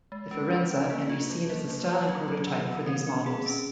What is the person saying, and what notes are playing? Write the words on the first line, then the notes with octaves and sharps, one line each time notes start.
The Firenza can be seen as a styling prototype for these models.
G#3
C#4
C#4
C#4
A#3
F4
F#3
A#3
F#3
F#3
F4
F4
D#3
D#3
C4
C4
G#4
C#4